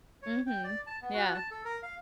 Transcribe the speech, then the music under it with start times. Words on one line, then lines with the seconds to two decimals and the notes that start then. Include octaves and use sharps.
Mhm, yeah.
0.22 C#5
0.47 G5
0.64 D5
0.87 A5
1.02 B3
1.14 F#4
1.34 A5
1.51 A4
1.65 A#4
1.83 F5